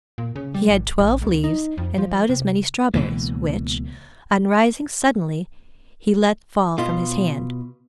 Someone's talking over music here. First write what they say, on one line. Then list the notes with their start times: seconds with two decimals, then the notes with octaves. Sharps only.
He had twelve leaves and about as many strawberries, which, on rising suddenly, he let fall from his hand.
0.18 A#2
0.36 C#3
0.54 G3
0.69 G#1
0.98 A1
1.22 C#2
1.44 D#4
1.77 F2
1.98 F3
2.30 C3
2.94 C#2 B2 E3 A#3
6.78 B2 F4